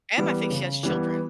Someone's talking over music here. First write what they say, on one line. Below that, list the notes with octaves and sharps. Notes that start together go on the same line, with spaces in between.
And I think she has children.
E3 G3 B3
C#3
E3 G3 B3